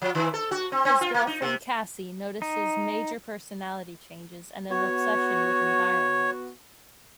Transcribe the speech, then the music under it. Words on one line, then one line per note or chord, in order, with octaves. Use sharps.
His girlfriend Cassy notices major personality changes and an obsession with environment.
F3
D#3
A4
F#4
C4
C4
F4
A#3
D#4
C3
D#4
B3 F#4 C#5